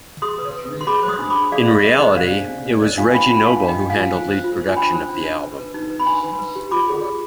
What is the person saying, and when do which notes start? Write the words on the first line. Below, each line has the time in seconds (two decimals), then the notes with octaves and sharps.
In reality, it was Reggie Noble who handled lead production of the album.
0.22 G#4 C6 D#6
0.38 B4
0.54 B4
0.71 B4
0.81 C6
0.87 G#4 B5 D6
1.03 C5
1.08 C6 D#6
1.19 D4
1.30 B5 D6
1.35 D4
1.52 G#4 D5 F5
1.68 G#4 D5
1.84 G#4 D#5
2.01 C5 D#5
2.17 C5 D5 F5
2.33 D4
2.49 D4
2.66 D4 D5
2.81 C5 D#5
2.98 F4 F5 G#5
3.08 G#5
3.14 D4 G5 B5
3.30 F4 G5 B5
3.46 D4 F5 G#5
3.63 D4
3.68 D#5 G5
3.79 D4
3.90 F5 G#5
3.95 F4
4.12 C5
4.28 C5
4.44 F4
4.60 C5
4.69 G#5
4.77 D4 G5 B5
4.93 C5
5.09 D4
5.25 D4
5.41 B4
5.58 B4
5.74 D#4
5.90 B4
6.00 B5
6.06 D4 G#5 C6
6.23 B4
6.39 B4
6.55 G4
6.71 F4 B5 D6
6.88 G#4
7.04 G#4